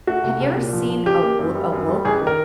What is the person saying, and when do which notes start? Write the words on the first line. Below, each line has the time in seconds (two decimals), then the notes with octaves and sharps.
have you ever seen a W a Whoop?
0.07 A3 F#4
0.23 C2
0.40 C2
0.57 A#2
0.73 F3
0.90 F3
1.06 A1 G4
1.23 A#3
1.39 F#2
1.55 G3
1.72 F#2
1.89 G3
2.05 A1 G#4
2.22 D#3
2.27 A#4